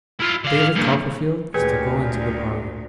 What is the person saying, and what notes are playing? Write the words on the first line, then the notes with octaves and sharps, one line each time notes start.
'David Copperfield is to go into the parlour.'
E4 F4
D3 F5
G2 A#2
D2 A#2 G4 G#4 B4 C#5 G#5